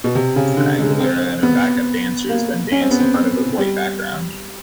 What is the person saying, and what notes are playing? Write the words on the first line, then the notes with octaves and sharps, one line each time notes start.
Aguilera and her backup dancers then dance in front of a white background.
B2
C3
C#3
D3
G#3
C4
B3
A#3
C#4
C4
B3
C4
C4
G3